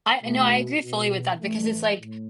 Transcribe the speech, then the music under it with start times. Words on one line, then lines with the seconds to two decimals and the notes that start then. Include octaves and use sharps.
I I know, I agree fully with that because it's, like,
0.22 B2 A3
0.81 B2
1.39 A2 E3 A3
1.99 A2